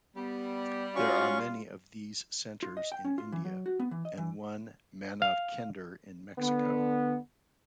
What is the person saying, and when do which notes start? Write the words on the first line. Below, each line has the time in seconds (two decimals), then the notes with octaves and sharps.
There are many of these centers in India, and one Manav Kender in Mexico.
0.16 G3 B3
0.96 C#4 F4 F#4 C#6
2.63 F4
2.77 D#5
2.92 G5
3.05 C#4
3.18 F4
3.32 E3
3.45 F#3
3.66 F#4
3.80 B3
3.91 E3
4.05 D#5
4.18 E3
5.22 F5
6.39 D3 B3